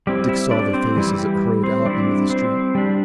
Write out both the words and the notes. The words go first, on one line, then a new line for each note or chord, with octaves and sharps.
Dick saw the face as it hurried out into the street.
G3 C4 E4 G4
E4 E5
D4 D5
C4 C5
E3 G3 E4
G4
C4 C5
G3 C4 D4 E4 D5
C4 C5
G3 D4 G4